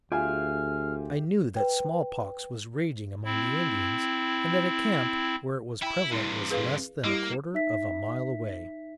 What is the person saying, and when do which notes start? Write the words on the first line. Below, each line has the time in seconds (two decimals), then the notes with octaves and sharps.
I knew that smallpox was raging among the Indians, and that a camp where it was prevalent was less than a quarter of a mile away.
0.12 D2 F4 G4 G#4 E5 G#5 F6
1.56 B4 G5
3.25 C4 E4
5.82 E4 G5 B5
6.12 G2 C3 E4
6.51 G#4 B4 F5
7.04 G3 A#3 E4 G4
7.54 D#4 E5 B6